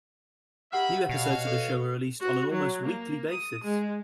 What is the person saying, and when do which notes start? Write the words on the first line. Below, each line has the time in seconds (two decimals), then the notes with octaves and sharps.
New episodes of the show are released on an almost weekly basis.
0.72 A#3 G4 E5 F#5 B5 F6
1.09 B2 F#4 C#5 F5
1.47 A4
2.20 F#4
2.51 F#3
2.84 A#3
3.29 D#6
3.63 G#3